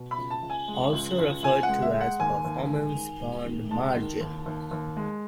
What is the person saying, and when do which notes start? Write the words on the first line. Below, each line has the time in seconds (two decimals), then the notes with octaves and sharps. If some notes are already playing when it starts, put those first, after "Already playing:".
Also referred to as performance bond margin.
Already playing: B2
0.11 B5
0.18 C#2
0.31 A5
0.43 C#2
0.50 G#5
0.68 G#3
0.93 C#2
1.18 C#2
1.43 C#2 G#5
1.63 F#5
1.69 G#3
1.82 E5
1.94 G#3
2.01 F#5
2.20 D#2 G#5
2.45 D#2
2.69 G#3
2.95 D#3
3.20 G#3
3.46 D#3
3.71 G#3 A5
3.96 D#3
4.21 D#2
4.46 D#2
4.71 D#2
4.97 G#3